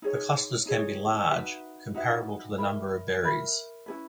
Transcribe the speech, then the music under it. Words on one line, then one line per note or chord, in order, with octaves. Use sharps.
The clusters can be large, comparable to the number of berries.
D#4 G#4 C#5
D#4 G#4 C#5
D#4 F#4 B4 E5
D#4 F#4 B4 E5
A#4 E5 B5
A#4 E5 B5
C#4 E4 G#4 B4